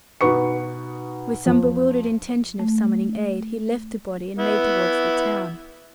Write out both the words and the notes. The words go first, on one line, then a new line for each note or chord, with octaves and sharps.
With some bewildered intention of summoning aid, he left the body and made towards the town.
B2 D#4 F#4 B4 C#6 C#7
F2
A3
B3 E4